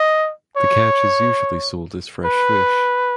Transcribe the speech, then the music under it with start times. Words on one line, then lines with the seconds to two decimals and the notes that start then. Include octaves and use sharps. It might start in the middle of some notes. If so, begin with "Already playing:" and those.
The catch is usually sold as fresh fish.
Already playing: D#5
0.57 C#5
2.25 B4